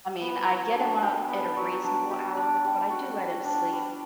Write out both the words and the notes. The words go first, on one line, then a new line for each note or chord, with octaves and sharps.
I mean, I get him up at a reasonable hour, but I do let him sleep
B3
F#3
D4
G4
B3
F#3
D4
G4
D4
G3
F#4
G3
D4
G3